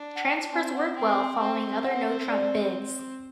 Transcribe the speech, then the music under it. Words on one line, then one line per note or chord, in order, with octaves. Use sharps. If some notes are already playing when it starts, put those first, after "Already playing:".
Transfers work well following other notrump bids.
Already playing: D4
F#5
G5
C4 G#5
F#5
C4 G5
G#5
C4 G5
F#5
D5